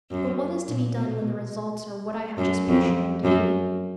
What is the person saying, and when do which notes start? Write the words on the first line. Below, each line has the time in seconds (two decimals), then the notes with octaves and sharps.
But what is to be done when the results are what I have just pictured them to be?
0.11 F#2
0.68 A#2
0.96 B2
2.38 F#2
2.68 F2
3.24 F#2